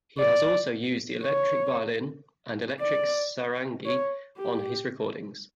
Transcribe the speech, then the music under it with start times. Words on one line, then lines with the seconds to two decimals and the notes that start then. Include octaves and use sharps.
He has also used the electric violin and electric sarangi on his recordings.
0.19 D5
1.24 C#5
2.81 D5
3.86 C#5
4.38 G4